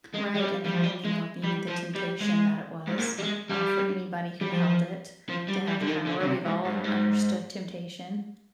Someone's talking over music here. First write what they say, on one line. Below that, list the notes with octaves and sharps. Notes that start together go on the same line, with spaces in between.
Right, and the ring, you know, being the temptation that it was, uh, for anybody who held it to have power; we've all understood temptation.
G#3
G#3
G3
G3
F3
G3
G#3
G3
F3
G3
G#3
G#2
A#2
G3
G#3
G3
G3
F3
F3
G3
G3
D3
D#3
D3
D3
C3
G#2
G#2
G2
G#2